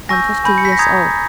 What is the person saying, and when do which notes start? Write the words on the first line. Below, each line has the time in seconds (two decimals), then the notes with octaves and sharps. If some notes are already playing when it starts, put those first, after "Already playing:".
I'm fifty years old.
0.09 G#5 C#6 E6 G6 A#6
0.44 G#5 B5 G6
0.58 C#7
0.65 B6
0.72 A#6
0.79 A#5 D#6 G6 G#6